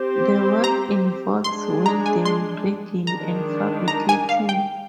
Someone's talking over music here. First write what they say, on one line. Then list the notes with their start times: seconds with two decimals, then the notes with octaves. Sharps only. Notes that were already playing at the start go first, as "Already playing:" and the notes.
The work involves welding, rigging and fabricating.
Already playing: C4 G4 C5
0.64 A#5
1.44 G#3 D4 G#4 C6
1.86 A#5
2.06 G#5
2.25 C6
3.07 D#3 G#3 D4 A#5
3.88 A#5
4.09 G#5
4.29 F5
4.49 G5